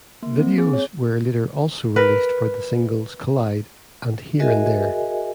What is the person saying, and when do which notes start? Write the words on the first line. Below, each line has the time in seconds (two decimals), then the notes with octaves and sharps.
Videos were later also released for the singles "Collide" and "Here and There".
0.23 A#3
0.37 C4
0.58 G#4
0.73 C#5
1.96 A#4 B4
4.40 F#4 G#4 A#4 D#5 E5 G#5